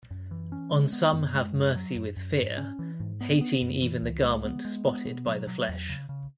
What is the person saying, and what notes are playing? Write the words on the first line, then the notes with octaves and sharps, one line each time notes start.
On some have mercy with fear; hating even the garment spotted by the flesh.
F#2
E3
C#4
G#3
B3
F#2
G#3
F#2
F#3
F#2
F#2
G#2
C#4
E3
G#2
B3
B3
F#2
E3
C#2
G#3
B3
G#3
B3
B2
F#3
F#3
E2
C#3
C#3